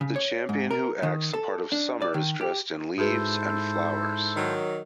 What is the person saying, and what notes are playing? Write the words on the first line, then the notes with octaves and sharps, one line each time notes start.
The champion who acts the part of Summer is dressed in leaves and flowers.
C#3
C#5
G#2
A#4
D#3
A4
D4
D5
D#3
G4
G#2 E4 F#4 G#4 A4 B4 C5
D#3 F#3